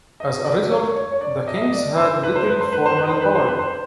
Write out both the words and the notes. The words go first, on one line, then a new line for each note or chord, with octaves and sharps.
As a result, the kings had little formal power.
D#5
D5
C#5
C#5
C#5
D5
D#5
E5
D#5
D5
C5
B4
C5
B4
C5
B4
C5
B4
C5
B4
C5
B4
C5